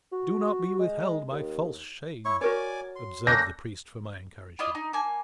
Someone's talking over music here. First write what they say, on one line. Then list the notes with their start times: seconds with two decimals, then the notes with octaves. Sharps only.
"Do not be withheld by false shame," observed the priest, for my encouragement.
0.12 F#4
0.79 G#3
1.31 D#2
2.25 E4 C#5 C#6
2.41 F#4 A#4 C#5 D5 G#5 D6
2.96 C6
3.27 A#3 C#4 A4 D6 F#6 G6 A#6
4.59 E4 F4 D5 D#5
4.75 D#4
4.93 A#3 G#5